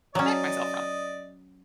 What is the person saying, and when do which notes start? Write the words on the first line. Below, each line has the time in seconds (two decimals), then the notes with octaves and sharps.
protect myself from.
0.15 F#3 C#4 D5 D#5